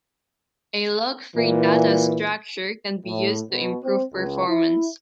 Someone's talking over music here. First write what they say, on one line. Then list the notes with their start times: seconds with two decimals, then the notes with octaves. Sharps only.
A lock-free data structure can be used to improve performance.
1.35 A#2 E3
3.06 A2
3.50 B2
3.84 C4
4.13 C#2
4.48 E4